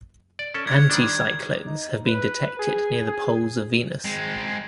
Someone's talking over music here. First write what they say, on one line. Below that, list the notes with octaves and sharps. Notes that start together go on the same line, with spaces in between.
Anticyclones have been detected near the poles of Venus.
D5
C#4 A4
D4 C#5 G#6
D#3 G3 D4
D#4
B4
G#4
G#4
G#3 C4